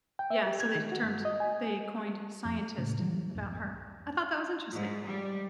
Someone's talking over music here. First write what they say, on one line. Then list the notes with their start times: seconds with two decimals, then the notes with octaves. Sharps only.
Yeah, so they termed they coined "scientist" about her. I thought that was interesting.
0.19 G5
0.30 E5
0.46 G4
0.60 G#6
0.75 D#3
0.92 F#4
1.03 G2
1.25 D#5
1.40 G#5
2.45 F2
2.59 A3
2.78 A2 C#3
2.99 E3 F#3 G3
3.35 C2 F2 G#2
4.73 G#2
5.06 G3